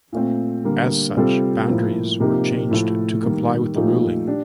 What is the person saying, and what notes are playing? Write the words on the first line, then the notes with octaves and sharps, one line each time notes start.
As such, boundaries were changed to comply with the ruling.
A#2 A3 C4
D3 G3 A#3
C3 G3 C4 F4 A4
A2 F3 A#3
C3 F3 A#3 D#4 G4
A2 F3 A3
D#3 G3 A#3
A#2 F3 A3 D#4 G4
D4 G4